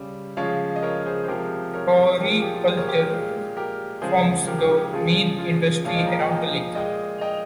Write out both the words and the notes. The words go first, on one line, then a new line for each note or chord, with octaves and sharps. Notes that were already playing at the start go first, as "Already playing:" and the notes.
Floriculture forms the main industry around the lake.
Already playing: C#3 G3
C#3 F3 G#3 C#5 F5
D#5
A#4 C#5
G#4 C5
C5
C3 F3 G#3 G4 A#4
A#4 C#5
A#2 F3 G#3 G4 A#4
F4 G#4
G4
F4
G#4 C5
A#4 C#5
G4
G4 A#4
A#2 G#3
G4 A#4
C#3 F3 G#3 G#4 C5
G4 A#4
G4
G4
G4
C#3 F3 G#3 F4 G#4
F4 G#4
A#2 F3 G#3 C#5 F5
C5 D#5
G5 A#5
F5 G#5
D#5 G5
A#2 G#3 D#5 G5
D#5 G5